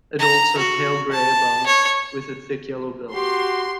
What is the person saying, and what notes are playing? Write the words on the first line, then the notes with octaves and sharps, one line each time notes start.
Adults are pale grey above, with a thick yellow bill.
A#5
F#4
A5
C#5
F#4 G4 C6